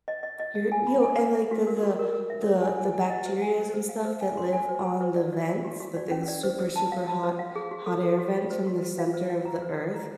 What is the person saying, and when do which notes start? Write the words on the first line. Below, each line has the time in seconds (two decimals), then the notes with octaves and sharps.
You're you and like the the the the bacterias and stuff that live on the vents that those super, super hot hot air vents from the center of the Earth,
0.08 D#5
0.23 D#5
0.40 D#5
0.55 D#5
0.72 G#5
0.87 B5
1.02 G#5
1.19 B4
1.35 E5
1.51 F#4
1.67 A#4
1.83 F#4
1.99 A#4
2.14 A#4
2.30 E5
2.46 C#5
2.62 G#5
2.78 G#5
2.93 G#5
3.10 D#5
3.26 C5
3.42 G#5
3.58 C5
3.74 C5
3.89 F5
4.05 C5
4.21 G#5
4.37 C6
4.53 G#5
4.69 C5
4.84 G#5
5.01 C5
5.16 D5
5.33 D5
5.48 D5
5.65 F#4
5.80 F#4
5.97 D5
6.11 C#4
6.28 D5
6.43 C5
6.60 C5
6.76 A5
6.92 F5
7.08 A5
7.23 C5
7.39 F5
7.56 G#4
7.71 F#4
7.86 A4
8.03 A4
8.18 F#4
8.35 F#4
8.50 C5
8.67 F#4
8.83 C5
8.99 F5
9.14 C5
9.30 F5
9.45 A#5
9.62 C5
9.78 C5
9.94 A#5